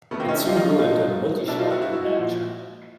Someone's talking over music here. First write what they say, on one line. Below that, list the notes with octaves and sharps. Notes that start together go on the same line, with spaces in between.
It soon grew into a multi-show on demand channel.
C#3 E3 A3 B3
A#3 C4
C#4 D#4
D4 E4
D#4 F4
D#4 F4
B2 F#3 D#4 F4
B2 F#3 D4 E4
D#4 F4
E4 F#4
E4 F#4
A#2 F3